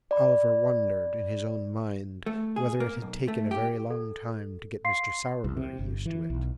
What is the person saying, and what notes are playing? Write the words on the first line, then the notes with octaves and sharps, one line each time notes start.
Oliver wondered, in his own mind, whether it had taken a very long time to get Mr. Sowerberry used to it.
D5 B5
A3
G#4
A#3
B1
A3
G4
A4
F5 C6 C7
C2
C3
G1
E3
B1